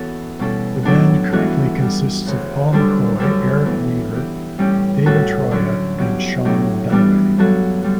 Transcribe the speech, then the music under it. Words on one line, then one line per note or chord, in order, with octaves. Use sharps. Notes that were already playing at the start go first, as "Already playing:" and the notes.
The band currently consists of Paul McCoy, Eric Weaver, David Troia and Sean Dunaway.
Already playing: E3 B3 C#4 F#4 A4
B2 G3 C#4 E4 A4
A2 F#3 B3 D4 A4
G2 E3 B3 F#4 A4
E3 G3 B3 D4
D2 C#3 E3
F#2 D3 G3 D4 A4
F#2 D3 G3 D4 A4
A2 E3 B3
E3 B3 E4 G4
A2 G3 C#4 G4
A2 G3 C#4 F#4 A4
D3 F#3 C#4 F#4
G2 F#3 B3 E4 G4
A2 F#3 B3 D4 G4
E3 G3 B3 D4
G2 F#3 B3 F#4 A4
D3 G3 F#4